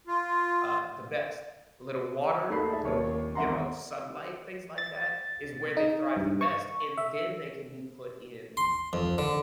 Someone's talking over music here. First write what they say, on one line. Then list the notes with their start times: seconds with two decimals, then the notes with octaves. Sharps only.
uh, the best. Little water, little, you know, sunlight, things like that is where they thrive the best, and then they can be put in
0.07 F4
2.49 A3 A#3 D#4 A4 B5 C7
2.70 G#4 A4 D5 E5 A5
2.84 D#1 D#2 C#5
3.35 G#1 E2 E5 F#5 A#5 C6
4.78 A6
5.77 D#4
6.16 G2
6.41 C#6
6.98 E5
8.57 C6
8.93 F2
9.18 D3